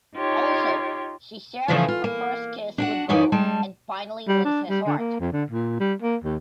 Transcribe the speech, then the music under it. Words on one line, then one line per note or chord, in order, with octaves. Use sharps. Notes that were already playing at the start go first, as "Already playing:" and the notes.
Also, she shares her first kiss with Bo and finally wins his heart.
D#4 F4 G4 C#5
C#3 E3 F3 A3 E4 F4
F4
A#3
D4 F#4 F#5
F#2 E3 C#4 D#4 B4 D5
G3 G#3 A5
G3
D4
G3
D3
A#3
F2
D3
A#2
G3
A#3
D#2